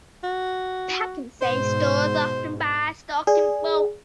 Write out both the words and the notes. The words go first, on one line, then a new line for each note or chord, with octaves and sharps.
Pak'nSave stores often buys stock in bulk.
F#4
G#2 B2 C5
G#4 D5